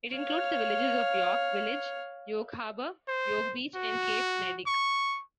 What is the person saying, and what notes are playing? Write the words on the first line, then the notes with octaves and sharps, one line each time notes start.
It includes the villages of York Village, York Harbor, York Beach and Cape Neddick.
C#5 F5
C5
F#4
C#6